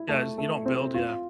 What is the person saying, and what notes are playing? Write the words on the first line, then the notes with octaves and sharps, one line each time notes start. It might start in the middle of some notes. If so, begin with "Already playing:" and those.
Yeah, you don't build, yeah.
Already playing: E4
A3
A3
C4
F4